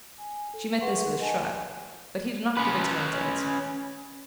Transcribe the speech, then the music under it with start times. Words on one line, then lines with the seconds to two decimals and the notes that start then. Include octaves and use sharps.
She met this with a shrug, but he did not give her time to answer.
0.18 G#5
0.54 A4
0.80 G#4 B4 F#5 C6 C#6
1.20 D#5 G#5 A5
2.57 C#4 B4